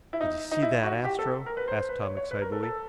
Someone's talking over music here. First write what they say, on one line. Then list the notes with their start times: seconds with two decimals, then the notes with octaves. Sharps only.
"Did you see that, Astro?" asked Tom excitedly.
0.13 E4
0.21 D#4
0.52 D#4
0.62 E4
0.84 F#4
1.04 G4
1.19 A4
1.46 A#4
1.57 B4
1.68 C5
1.78 C5
1.89 B4
2.03 C#5
2.17 C#5
2.31 B4
2.42 A#4
2.52 A4
2.63 A4